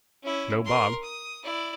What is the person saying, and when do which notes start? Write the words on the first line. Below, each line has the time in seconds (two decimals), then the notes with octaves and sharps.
No Bob.
0.22 C#4 E4
0.65 A#4 C6
1.03 D#6
1.44 E4 D5